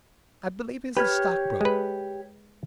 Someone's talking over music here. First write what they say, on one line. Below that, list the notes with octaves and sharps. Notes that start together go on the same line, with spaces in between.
I believe he's a stockbroker.
G4 B4 C#5 F6
G#3 B4